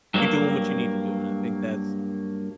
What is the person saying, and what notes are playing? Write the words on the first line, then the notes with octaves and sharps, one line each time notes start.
you're doing what you need to do," and I think that's
G2 F#3 G#3 A#3